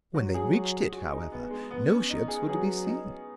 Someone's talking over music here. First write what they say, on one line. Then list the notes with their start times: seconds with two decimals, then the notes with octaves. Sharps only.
When they reached it, however, no ships were to be seen.
0.15 F#3 F#4
0.34 G#4
0.53 F#4
0.93 F#4
1.11 D#4
1.32 B3
1.50 G#3
1.71 B3
1.90 C#4
2.10 D#4
2.28 G#4
2.48 F#3 G#4
2.87 D#4